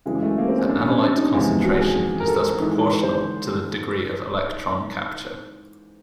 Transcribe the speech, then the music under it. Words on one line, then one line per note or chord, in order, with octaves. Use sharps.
The analyte concentration is thus proportional to the degree of electron capture.
F#2 C#3 E3 G#3
A3
A#3
C4
C#4
D4
C#4
C4
D4
D#4
E2 C3 F3 G#3
F#4
G#4
A#4
A4
G#2 E3 G#3
B4
C5